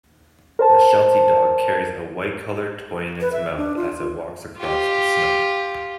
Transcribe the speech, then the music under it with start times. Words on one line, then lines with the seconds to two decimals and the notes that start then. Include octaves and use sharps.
A Sheltie dog carries a whitecolored toy in its mouth as it walks across the snow.
0.59 A#4 C5 A5
3.21 B4
3.33 E5
3.56 D4
3.76 F4
4.57 F4 G4